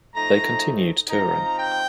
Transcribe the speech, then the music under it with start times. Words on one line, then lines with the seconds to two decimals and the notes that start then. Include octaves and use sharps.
They continued touring.
0.14 F3 A3 D#4 A#5
1.09 F3 C4 D#4 A#5
1.58 G5